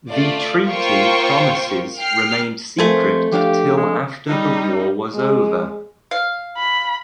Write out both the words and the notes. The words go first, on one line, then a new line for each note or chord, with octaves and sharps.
The treaty promises remained secret till after the war was over.
A3 F4 D5
A#3 F4 C5 G5 C#6
G5 F6 C7
F2 A3 C5 G#5
F3 D4 G4 F5
G#3
G3 D#4
G#3
F5
B5